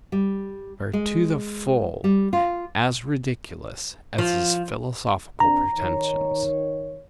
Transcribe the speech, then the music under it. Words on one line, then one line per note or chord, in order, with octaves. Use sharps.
They were to the full as ridiculous as his philosophical pretensions.
G3
G#3
G3
F4
F3
D3 C4 D4 A#5
D#3 C#5